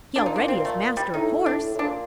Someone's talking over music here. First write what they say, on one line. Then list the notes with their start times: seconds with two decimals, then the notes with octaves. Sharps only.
He already is master of horse.
0.16 A#2 D4
0.26 D#4
0.36 D4
0.48 C4
0.65 A3
0.97 G3
1.14 A2 D#4
1.36 A2
1.46 D4
1.57 A2
1.75 A2
1.79 A#2 D4